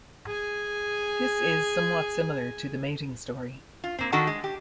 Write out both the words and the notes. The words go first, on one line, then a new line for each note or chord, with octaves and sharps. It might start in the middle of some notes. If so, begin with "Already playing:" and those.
This is somewhat similar to the mating story.
G#4 G#5
F4
A#3 C4
D#3 D4 F#4 A4 F#5 A5
G#3
G4